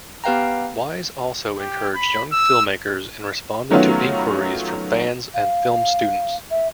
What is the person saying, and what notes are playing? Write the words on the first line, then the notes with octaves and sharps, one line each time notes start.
Wise also encouraged young filmmakers and responded to inquiries from fans and film students.
B3 G4 B4 F5 G5 A#5
G4
B5
E6
D#3 F#3 A3 B3 C#4 F4
F5
E5